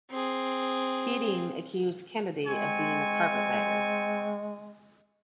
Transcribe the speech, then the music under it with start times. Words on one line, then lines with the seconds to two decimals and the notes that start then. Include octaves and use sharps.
Keating accused Kennedy of being a carpetbagger.
0.11 C4 G#4
2.47 G#3 C4 G#5 C#6